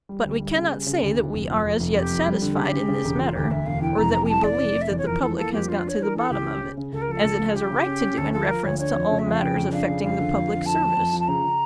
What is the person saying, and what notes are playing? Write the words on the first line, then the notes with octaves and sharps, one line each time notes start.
But we cannot say that we are as yet satisfied in this matter, or that we believe that the public has got to the bottom of it,--as it has a right to do in reference to all matters affecting the public service.
G3
D2
G3
C#3
G3
C#3
D2
D2
F1
F2
F2
F1
F1 G4
F2
G3
D3
A4
C#3 G4
C#3
C#3
E1
E1 F4
D2 G4
D2 E5
E1 F5
E3 G5
F1 A#5
E3 A#5
G5
E3 A5
F1 D5
F1
F1
E5
E2 D5
C#5
F2 A#4
E3 A4
A#3 A4
F2 G4
D4 F4
D4 C#5
E3 A#4
E3 A4
C#2 G4
C#4
C#3
C#3
C#2 A4
A#4
F3 A4
C#2
F3
C#3 G4
C#3
C#4
C#4
D2 A4
F3 A4
F3 A#4
D2 C#5
D4 C#5
F2
C#3
E5
F2 F5
C#3 G5
F2
D4 F5
C#3
F2 F5
D3
F2
D3
F2 A5
F2
F2
F3
A5
C#3 A#5
C#3